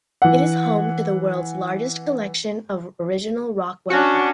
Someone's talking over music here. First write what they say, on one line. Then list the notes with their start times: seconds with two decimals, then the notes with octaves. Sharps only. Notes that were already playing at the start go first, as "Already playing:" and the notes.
It is home to the world's largest collection of original Rockwell art.
0.22 E3 F#5
3.90 C#4 D4 F#4